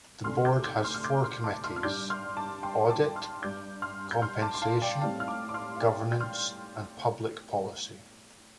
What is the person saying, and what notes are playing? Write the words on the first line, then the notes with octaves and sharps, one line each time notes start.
The board has four committees: Audit, Compensation, Governance, and Public Policy.
D2 C3 A3 D4 C6 F6
D6 G6
D6 G6
C6 F6
F6
D6 G6
C6 F6
A5 D6
C6 F6
F6
G2 G3 D4 D6 G6
C6 F6
A5 D6
G5 C6
A5 D6
C6 F6
G2 G3 D4 D6 G6
C6 F6
G6
C6 F6
A5 D6
C6
F5 A5
D5 G5
A2 G3 C4 F5 A5
F6
A5 D6
D6
C6 F6
F5
D5 G5
G6
C6 F6